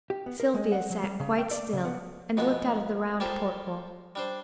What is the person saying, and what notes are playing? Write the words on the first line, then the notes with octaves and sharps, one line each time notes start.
Sylvia sat quite still and looked out of the round port-hole.
G4
B3
A#4
G#3
F#5
F#3
G3
C#3
G5
D5
C#3
B3
F2 B2 G#3 B3
G3 A#3 F4 G4 A4 C5
G3 D4 C5